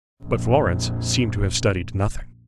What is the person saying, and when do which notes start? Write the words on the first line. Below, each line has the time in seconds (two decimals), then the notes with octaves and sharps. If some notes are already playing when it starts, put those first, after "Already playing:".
But Florence seemed to have studied nothing.
0.23 A#1 F2